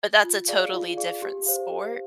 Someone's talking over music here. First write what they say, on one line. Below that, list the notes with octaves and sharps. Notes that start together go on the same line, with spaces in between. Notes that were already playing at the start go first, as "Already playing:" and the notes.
but that's a totally different sport,
F4
G#4 D5 F5
F4
G#4 D5 F5
G4
C5 F5
G4